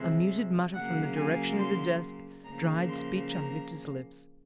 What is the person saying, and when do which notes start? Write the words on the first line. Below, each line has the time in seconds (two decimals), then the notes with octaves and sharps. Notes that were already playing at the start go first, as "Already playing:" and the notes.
A muted mutter from the direction of the desk dried speech on Victor's lips.
Already playing: C3 F3 G#3
0.74 C#3 F#3 A#3 F#5
1.17 G#5
1.59 C6
2.45 C#3 F3 A#3 A#5
2.88 C6
3.31 A#5